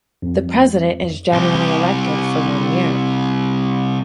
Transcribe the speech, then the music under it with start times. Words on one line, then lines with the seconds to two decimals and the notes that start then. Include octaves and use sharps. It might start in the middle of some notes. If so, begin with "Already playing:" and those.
The president is generally elected for one year.
0.22 F2
1.32 C2 G4